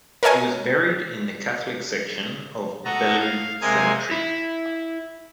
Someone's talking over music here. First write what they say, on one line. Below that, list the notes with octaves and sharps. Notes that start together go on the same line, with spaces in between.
He was buried in the Catholic section of Bellu cemetery.
A#4 B4 C#5 D#5 G#5
F#4 A4 D#5 A#5
F5
C3 G#3 A#3 D#5 G#5
E4